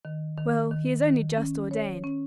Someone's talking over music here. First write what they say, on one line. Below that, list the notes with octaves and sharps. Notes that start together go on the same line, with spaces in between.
Well, he is only just ordained.
D#3
D#3
D#3
D#3
C#4
C#5
C#4